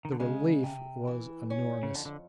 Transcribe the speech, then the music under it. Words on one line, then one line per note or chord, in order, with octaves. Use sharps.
The relief was enormous.
D#3
D3
C#3 G#3
C3
E3
C#4
C#3
F2 D3
D3